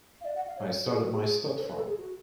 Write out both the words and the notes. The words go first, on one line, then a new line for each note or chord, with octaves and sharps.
I started my stud farm.
F5
D5
F#5
F5
C#5
C#5
G#4
F#4
G#4
G#4
A4
C#5
B4
A4
G#4
F#4